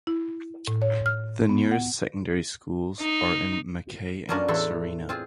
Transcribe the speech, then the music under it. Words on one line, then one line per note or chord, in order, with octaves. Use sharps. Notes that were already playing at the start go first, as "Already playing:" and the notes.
The nearest secondary schools are in Mackay and Sarina.
E4
A2
C#5
F6
B3
F#5
D#4
F#3 A#3 C#4 D4 F4 A#4
E2 A2 E4 F#4 A4 C6
C4 F4 G#4